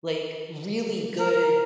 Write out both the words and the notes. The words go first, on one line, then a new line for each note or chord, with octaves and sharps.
like, really good,
A#4